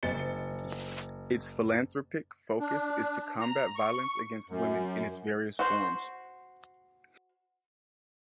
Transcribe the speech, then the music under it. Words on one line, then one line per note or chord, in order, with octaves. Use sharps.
Its philanthropic focus is to combat violence against women in its various forms.
F#1 D#5 A6 C#7 G7
D4
A#5
C#6
F#2
F#4 C5